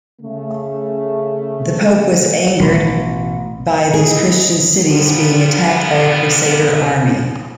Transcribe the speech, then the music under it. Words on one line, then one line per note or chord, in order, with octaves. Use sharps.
The Pope was angered by these Christian cities being attacked by a Crusader army.
C#3 A3
A1 B2
E3 F3 E4 G#4 D#5
A#2 D3 F3 G3 B3